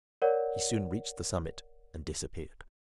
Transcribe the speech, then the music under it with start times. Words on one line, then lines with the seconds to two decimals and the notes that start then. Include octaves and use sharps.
He soon reached the summit, and disappeared.
0.22 A#4 C#5 D5 F#5